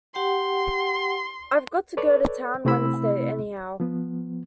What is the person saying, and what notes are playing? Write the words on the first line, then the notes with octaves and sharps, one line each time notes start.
I've got to go to town Wednesday, anyhow.
G4 F#5 G5 C6
A4 B4 C#5 D5
C3 A3 C4 E4 B5 E6
F3 B3